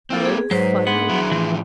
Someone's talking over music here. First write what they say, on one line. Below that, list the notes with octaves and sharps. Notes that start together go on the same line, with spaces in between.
Oh, fun alive!
A#3 C4 E4 A4
G#4
G#2 F#3 B4 C5
B3 D4 G#4 F#5 C6
F#3 E4
A2 E3 F3